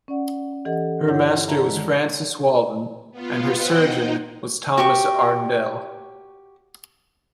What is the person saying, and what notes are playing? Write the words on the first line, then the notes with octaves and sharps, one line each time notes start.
Her master was Francis Walton and her surgeon was Thomas Arndell.
C#4 D5 F#5
E3 G4 A4 D#5 F#5
G2 D3 E4 C#5 F#5 G6
D5 E5 A5 A#5
D3 D#3 G#3
B3 F4
C5 D#5 F#5 G5
D#4
F#4 G4 C#6